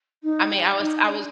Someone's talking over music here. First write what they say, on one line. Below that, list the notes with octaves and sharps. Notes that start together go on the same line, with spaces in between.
I mean, I was I was
D#4
G4
D#4
D4